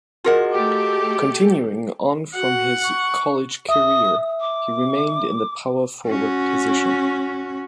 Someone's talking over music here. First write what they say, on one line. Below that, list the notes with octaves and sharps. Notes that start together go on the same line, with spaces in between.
Continuing on from his college career, he remained in the power forward position.
F4 F#4 G#4 A#4 D#5 F#5
A3 G4 A4 D6
F#4 F#5
C#6
E5 D#6
D6
C#4 F#4